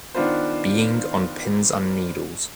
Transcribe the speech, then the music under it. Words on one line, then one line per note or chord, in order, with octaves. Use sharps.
Being on pins and needles.
D#3 B3 D4 F4 B4 C5